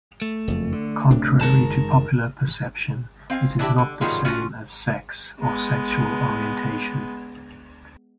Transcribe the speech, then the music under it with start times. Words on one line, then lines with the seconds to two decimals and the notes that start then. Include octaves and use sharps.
Contrary to popular perception, it is not the same as sex or sexual orientation.
0.22 A3
0.48 F#1 F2
0.72 D3
1.11 D1 C3 D4
1.41 F#1 D#3 G#3 A#4 A5
3.30 C4 F5 G#5
3.59 E3 D4 E4 G4
3.78 D3
4.01 D#3 F#3 G3 B3 F4 G#4
4.25 C#4 F4 F#4
5.39 G#3 B3